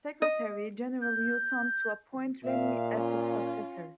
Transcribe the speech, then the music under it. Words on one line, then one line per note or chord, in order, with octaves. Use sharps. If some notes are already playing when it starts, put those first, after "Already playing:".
Secretary-General U Thant to appoint Rennie as his successor.
D#5
G6
A#2 E5 F5
C#4 F4